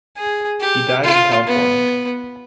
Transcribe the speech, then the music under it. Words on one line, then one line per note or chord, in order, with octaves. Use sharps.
He died in California.
G#4
G4
F4
B3